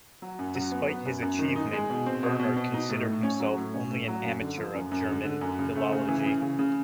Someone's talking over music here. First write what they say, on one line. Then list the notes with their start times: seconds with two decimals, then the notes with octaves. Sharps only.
Despite his achievement, Verner considered himself only an amateur of German philology.
0.22 F#3
0.39 F#2
0.55 F#3
0.72 B3
0.89 B3
1.05 F#2
1.22 F#2
1.39 D#3
1.56 D#4
1.73 G#3
1.90 B2
2.06 C4
2.23 B2
2.39 B2
2.57 B2
2.74 D#4
2.89 A2
3.07 A2
3.23 C#4
3.40 F#3
3.57 A2
3.74 C#4
3.90 A2
4.08 F#3
4.24 F#2
4.41 D3
4.58 F3
4.74 F#2
4.91 F#2
5.09 D3
5.25 D3
5.41 F#2
5.59 C#3
5.75 A3
5.92 C#3
6.09 E3
6.26 C#3
6.42 C#3
6.59 C#3